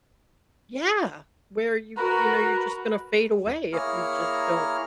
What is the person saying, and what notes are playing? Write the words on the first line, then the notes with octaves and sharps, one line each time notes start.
Yeah, where you, you know, you're just gonna fade away if you just don't,
F#4 A#4 B4 A#5
A#3 E4 G#4 C#5 A#5 F6